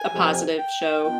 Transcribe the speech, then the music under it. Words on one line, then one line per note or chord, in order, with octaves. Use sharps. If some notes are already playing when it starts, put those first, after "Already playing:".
a positive show.
Already playing: G#5
F2 C3 F3
G5
D#3 B3 D4 F4 G5